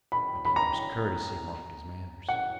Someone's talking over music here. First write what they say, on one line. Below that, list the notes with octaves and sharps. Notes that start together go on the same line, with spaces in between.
A dangerous courtesy marked his manners.
B5
B5
A#5
F#5